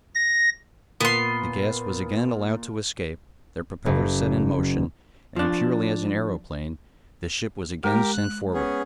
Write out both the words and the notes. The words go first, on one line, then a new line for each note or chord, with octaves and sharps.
The gas was again allowed to escape, the propellers set in motion, and purely as an aeroplane, the ship was again sent forward.
A#6
A#2 B3 C6
F#1
F3 D4
G#3 G4 A#4
F#6
B3 C#4 G#4